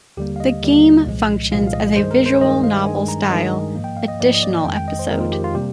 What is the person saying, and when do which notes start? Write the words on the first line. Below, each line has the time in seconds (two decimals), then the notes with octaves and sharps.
The game functions as a visual novel-style "additional episode".
0.17 D#2 D3 G3 A#3 G4
0.36 F5
0.40 D#5
0.62 D#2 D3 G3 A#3
1.07 C2 A#2 F3 G#3
1.51 C2 A#2 F3 G#3 F5
1.67 F5
1.73 D#5
1.96 G2 D#3 G#3 C5
2.11 A#4
2.26 C5
2.41 G2 D#3 G#3 D#5
2.64 F5
2.86 G2 D#3 G#3 G#5
3.08 A#5
3.30 G2 D#3 G#3 D#5
3.75 G#2 F3 A#3
3.84 G5
3.97 F5
4.08 D#5
4.20 G#2 F3 A#3 D5
4.34 D#5
4.43 D5
4.65 F2 D#3 G#3 G5
4.77 G5
4.88 D#5
4.99 C5
5.10 F2 D#3 G#3 A#4
5.21 F4
5.33 G4
5.44 F4
5.55 C3 G3 A#3 G4